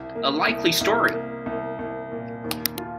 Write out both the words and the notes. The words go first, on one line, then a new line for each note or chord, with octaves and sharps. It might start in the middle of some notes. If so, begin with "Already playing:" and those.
A likely story!
Already playing: C2
A#3
C2
C2
A#3
C2
C2
A#2
D#2
F4